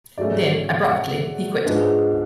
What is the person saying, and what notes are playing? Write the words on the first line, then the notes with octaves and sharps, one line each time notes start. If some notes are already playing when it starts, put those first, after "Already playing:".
Then, abruptly, he quit.
G#2 F#3 A3 C#4 D5
F#5
G#2 F3 G#3 B3 D4